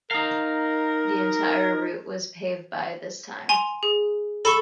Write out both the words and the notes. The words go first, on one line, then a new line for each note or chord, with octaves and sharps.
The entire route was paved by this time.
D#4 A#4 F5
G#5 C6 F7
G#4
A4 B5 C#6